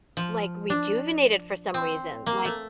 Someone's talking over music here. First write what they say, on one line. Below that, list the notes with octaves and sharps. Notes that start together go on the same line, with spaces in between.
Like rejuvenated for some reason. Like,
F3
D4
C4
A#3
A3